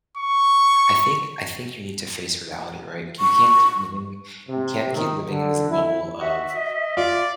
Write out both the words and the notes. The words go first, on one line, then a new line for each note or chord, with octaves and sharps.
I think I think you need to face reality, right? You can't keep living you can't keep living in this bubble of,
C#6
C#6
C3
D#3
D3
E4
F#4 E5
D#5
F4 D5